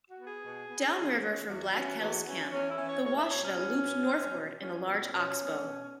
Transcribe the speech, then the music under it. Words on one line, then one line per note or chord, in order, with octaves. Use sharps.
Downriver from Black Kettle's camp the Washita looped northward in a large oxbow.
F#4
B3
G#4
B2
B3
E2
E3 C#4
E2 F#4
E3 C#4
E2
E3 C#4
E2 C#4
E4
C#4
E3 C#5
E2 C#5
E5
B2 B3 C#5
C#4
E2
B2 B3
E2
B2 B3
E2 C#4
C#4
B2 B3 C#4
C#4
B2 C#4
G#3 B3
B2